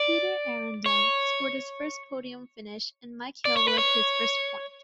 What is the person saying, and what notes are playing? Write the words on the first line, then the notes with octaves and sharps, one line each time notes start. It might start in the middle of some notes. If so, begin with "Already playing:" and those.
Peter Arundell scored his first podium finish, and Mike Hailwood his first point.
Already playing: D5
C#5
D5
C#5
B4
C#5